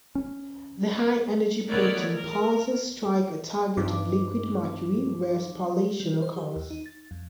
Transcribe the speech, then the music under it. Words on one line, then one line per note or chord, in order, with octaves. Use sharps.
The high-energy proton pulses strike a target of liquid mercury, where spallation occurs.
C#4
D#3 A3 B3 A#4 C#5 D5
A#4
G2 C4 D#4 D6
G3
C5
G4
D#2
D#4
A6
F2